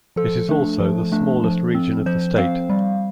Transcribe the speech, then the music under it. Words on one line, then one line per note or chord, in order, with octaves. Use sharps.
It is also the smallest region of the state.
F3 A4
A3 D4
F3
A3 D4
F3
C4
F3 C5
C4 F5
G3